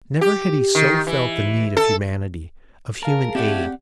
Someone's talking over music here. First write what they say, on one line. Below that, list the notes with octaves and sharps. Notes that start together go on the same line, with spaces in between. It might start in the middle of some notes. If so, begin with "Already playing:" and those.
Never had he so felt the need of humanity, of human aid.
G4
D#3
E3
A4
G#4 A#4 F5 A5
A2 C4 E4 G4 D5 F#5